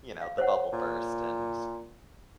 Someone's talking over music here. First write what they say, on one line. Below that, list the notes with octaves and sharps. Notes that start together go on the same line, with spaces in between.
you know, the bubble burst and
F5
C5 C#5 F#5
A#2